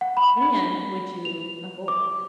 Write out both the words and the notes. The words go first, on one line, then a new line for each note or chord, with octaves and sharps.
And would you avoid?
F#5
B5
F7
D6